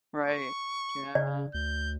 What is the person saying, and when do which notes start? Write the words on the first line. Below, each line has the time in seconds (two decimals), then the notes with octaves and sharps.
Right. Yeah.
0.23 C#6
1.15 C#3 D5
1.54 D2 G6